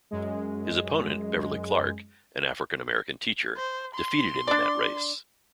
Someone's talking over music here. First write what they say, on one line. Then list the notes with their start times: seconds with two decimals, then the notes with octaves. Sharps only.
His opponent Beverly Clark, an African-American teacher, defeated him in that race.
0.11 F#2 G#3
3.57 C5
3.95 C6
4.47 D4 D5